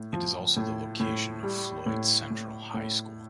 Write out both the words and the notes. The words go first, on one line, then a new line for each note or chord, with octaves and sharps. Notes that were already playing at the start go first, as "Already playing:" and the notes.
It is also the location of Floyd Central High School.
Already playing: A2
F3
A2
A2
G3
A2
A2
A2